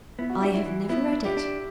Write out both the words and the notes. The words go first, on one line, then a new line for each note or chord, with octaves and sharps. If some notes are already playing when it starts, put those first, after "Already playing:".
"I have never read it."
B3 E4
F#4
D4 E4
E4
E3
B3 E4
D4
G4
D4